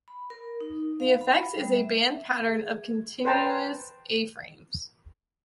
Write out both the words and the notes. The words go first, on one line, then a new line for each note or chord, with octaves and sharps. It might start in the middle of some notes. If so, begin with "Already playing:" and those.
The effect is a band pattern of contiguous A-frames.
B5
A#4
D#4
F5
B5
G3
E5
G#4
B4 C5 G5 A5 A#5 C6